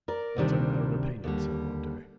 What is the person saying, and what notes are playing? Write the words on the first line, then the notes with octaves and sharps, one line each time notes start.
'That's a matter of opinion,' said Loveday.
A#4 D5
D2 C3 D#3 G3 D4
D#2 D3 G3